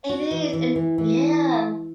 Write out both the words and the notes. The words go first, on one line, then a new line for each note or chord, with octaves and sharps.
It is, and yeah.
F#4
E3
E3
E3
E3